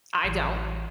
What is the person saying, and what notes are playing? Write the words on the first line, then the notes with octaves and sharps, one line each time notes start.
I don't.
A1 E3